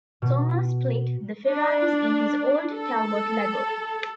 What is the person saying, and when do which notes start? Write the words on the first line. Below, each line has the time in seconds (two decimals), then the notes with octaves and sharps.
Sommer split the Ferraris in his old Talbot-Lago.
0.22 B2
1.47 D4
2.71 A4